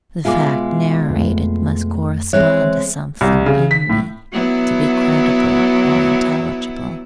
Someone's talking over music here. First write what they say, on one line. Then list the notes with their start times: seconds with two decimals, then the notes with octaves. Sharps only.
The fact narrated must correspond to something in me to be credible or intelligible.
0.25 B2 G#3 F4 E5 G#5 D6
1.10 F2 A3
2.33 E3 G#3 C4 C#5 E5 F#6
3.21 C2
3.46 C#3
3.71 B6
3.89 A2
4.32 F#3 B3 E4